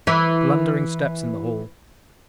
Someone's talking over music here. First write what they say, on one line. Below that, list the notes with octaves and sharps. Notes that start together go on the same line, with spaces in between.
Blundering steps in the hall.
E3 E4